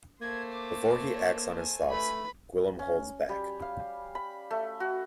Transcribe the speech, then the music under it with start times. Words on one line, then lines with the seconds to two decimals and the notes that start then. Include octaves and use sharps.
Before he acts on his thoughts, Gwyllm holds back.
0.21 A3 A#3 C5 G#6
0.51 D6
1.13 C#5
1.57 G#5
1.91 A3 B4 B5
2.79 C#4
3.29 G3
3.62 F5
4.15 B5
4.51 A3
4.80 F#4